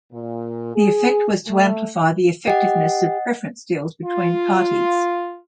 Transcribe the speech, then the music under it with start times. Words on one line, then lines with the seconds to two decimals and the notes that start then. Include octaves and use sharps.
The effect was to amplify the effectiveness of preference deals between parties.
0.12 A#2
0.75 G#4
1.47 A3
2.47 G4 D#5 F#5
4.05 F4